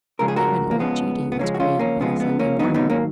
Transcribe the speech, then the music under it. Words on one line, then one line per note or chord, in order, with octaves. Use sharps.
Even old Judy was grand on a Sunday morning.
C#2 C#3 F3 G#3 A#4
G#4
F#4 A#4
A#3
C#2 C#3 F3 G#3 B3
B3
C#2 C#3 F3 G#3 A#3 C#4
F#4
C#4 F4
A#3 C#4
C#2 C#3 F3 G#3 B3
B3
A#3 C#4
G#2 D#3 F#3 B3 D#4
B3 D#4
A#3 C#4